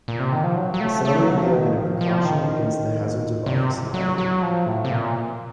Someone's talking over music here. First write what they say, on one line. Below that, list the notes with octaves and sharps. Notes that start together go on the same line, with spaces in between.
The settlement may have been a precaution against the hazards of office in Ireland.
A#2
C3
D#3
F3
F#3
F#3
A3
A3
F#3
F3
D#3
F3
F3
D#3
C3
F#3
F#3
F3
A2
C3
A#2